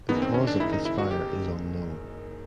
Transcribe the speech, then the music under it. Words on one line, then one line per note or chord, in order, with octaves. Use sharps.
The cause of this fire is unknown.
F#1 F#2 D#3 B3
C4
C#4
D4
F#1 F#2 D#3 E4
D#4
E4
F#4
G4